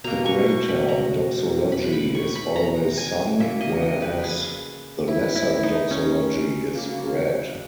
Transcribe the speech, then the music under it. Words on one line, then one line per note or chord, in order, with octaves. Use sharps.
The Greater Doxology is always sung, whereas the Lesser Doxology is read.
B2 A#3 A#5
C#6
C#6
B5
A#5
B5
B5
C#6
B5
A#5
G#5
C#3 F#3 A#3 E5
D#5
D#5
B4
G#4
E4
E4
D#4
C#4
C#3 F#3 A#3